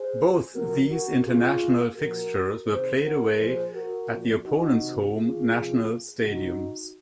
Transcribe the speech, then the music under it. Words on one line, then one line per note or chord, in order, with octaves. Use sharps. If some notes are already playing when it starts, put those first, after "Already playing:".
Both these International fixtures were played away at the opponents' home national stadiums.
Already playing: G#4 C5
C3 F3 F#4 A#4
F#4 A#4
C3 D#3 F4 G#4
A#2 F3 F#4 A#4
C3 D#3 G#4 C5
F#4 A#4
A#2 F3 G#4 C5
F#4 A#4
A#2 F3
D#4 F#4
C3 D#3
F4 G#4
C3 F3
C3 F3 D#4 F#4